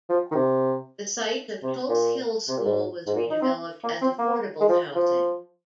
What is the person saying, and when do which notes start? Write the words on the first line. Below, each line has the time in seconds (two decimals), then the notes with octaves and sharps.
The site of Tulse Hill school was redeveloped as affordable housing.
0.09 F3
0.31 D#3
0.35 C3
1.63 C3
1.89 A#2
2.48 C3
2.57 A#2
2.65 G#2
3.07 G#2
3.16 A#2
3.30 D#4
3.42 C4
3.84 A#3
4.01 C4
4.18 A#3
4.60 G#3
4.69 F3
4.95 F3